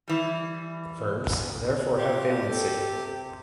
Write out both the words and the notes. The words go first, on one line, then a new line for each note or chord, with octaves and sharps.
Verbs therefore have valency.
E3 G3
F4 G4
A4
C3